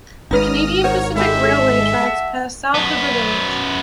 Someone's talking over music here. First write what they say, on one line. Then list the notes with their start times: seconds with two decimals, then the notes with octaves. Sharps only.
The Canadian Pacific Railway tracks pass south of the village.
0.31 G#1 G#2 D#4 B4 D#6 F6 A#6
0.84 A#4 C5 C#5 F#5
1.16 G#3 E4 G4 A4 E5
2.03 F#5 A5
2.74 F#2 B3